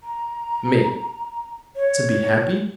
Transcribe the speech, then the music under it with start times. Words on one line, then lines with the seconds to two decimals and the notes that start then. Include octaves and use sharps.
ME: To be happy?
0.03 A#5
1.76 C#5